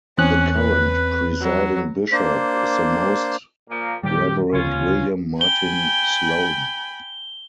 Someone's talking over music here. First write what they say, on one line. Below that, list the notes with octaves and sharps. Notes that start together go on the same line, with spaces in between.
The current presiding bishop is the Most Reverend William Martin Sloane.
E2 C4 C#4 F#6
B4
F#3
A#3 D4 C5
A#2 F3 A#3
A#2 D#3 G3 G4
D2 C#3 C#4 F4
G5 G#5 B5 G7